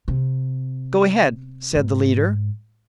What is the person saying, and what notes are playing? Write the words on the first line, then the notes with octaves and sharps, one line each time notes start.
"Go ahead," said the leader.
C3
G#2